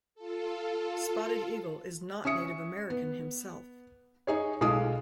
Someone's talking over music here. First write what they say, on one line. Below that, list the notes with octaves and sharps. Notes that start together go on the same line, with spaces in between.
Spotted Eagle is not Native American himself.
F4 A4
C#4 E5 D#6 C#7
B3
D#4 G#4 C#5
B1 G#3 A3 F4 D#6